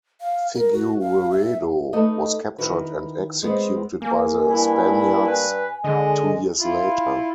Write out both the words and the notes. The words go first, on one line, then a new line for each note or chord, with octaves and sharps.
Figueredo was captured and executed by the Spaniards two years later.
F5
A#4
F#4
F5
E5
A3 D#4 A4 B4 D#5
D#3 E4 F#4 B4
G#3 B3 C4 D#5
A#3 G#5
G2 E4
B4 G#5
D3 G#3 D#5
E4 F4